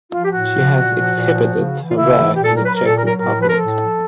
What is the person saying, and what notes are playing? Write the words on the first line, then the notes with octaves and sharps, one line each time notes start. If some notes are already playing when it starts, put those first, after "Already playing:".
She has exhibited her work in the Czech Republic.
F3 F4
G4
A2 F#4
F3
A#2
F3
A#2
F3
C#3
E3
F4
C#3 E4
E3
A#2 G4
A4
F#3 A#4
B4
A#2 A#4
A4
F#3 A#4
A#4
A2 A#4
F3 B4
A#4
A2 A4
F3